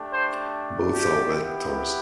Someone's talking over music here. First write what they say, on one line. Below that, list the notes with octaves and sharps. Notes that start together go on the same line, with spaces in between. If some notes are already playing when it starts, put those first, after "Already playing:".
Both are vectors.
Already playing: A3 D4 G4
C5
G4
B3 E4 G4